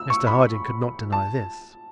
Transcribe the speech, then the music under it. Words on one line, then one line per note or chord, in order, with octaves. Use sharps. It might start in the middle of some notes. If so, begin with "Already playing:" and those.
Mr Harding could not deny this.
Already playing: E6
C#6
B5
A5